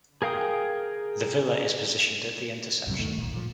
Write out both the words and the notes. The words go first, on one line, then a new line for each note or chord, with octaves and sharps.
The villa is positioned at the intersection.
G#4 A#4 F5 G5 D#6
C2 G2 C3 F#3
D#2 D#3 A3
D1 G#1 A#2
A#2 F3